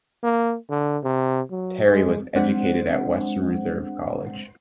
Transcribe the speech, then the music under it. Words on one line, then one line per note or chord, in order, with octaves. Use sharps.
Terry was educated at Western Reserve College.
A#3
D3
C3
F#3
G#3
G#3 C4 D4 C5 F#5